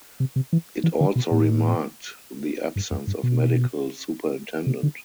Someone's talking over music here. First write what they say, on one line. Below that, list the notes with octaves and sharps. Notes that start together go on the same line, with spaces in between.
It also remarked the absence of medical superintendent.
C3
C3
E3
E3
D3
B2
A2
G2
F2
G2
B2
C3
D3